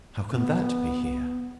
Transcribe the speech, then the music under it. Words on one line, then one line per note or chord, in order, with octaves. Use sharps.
How can that be here!
B3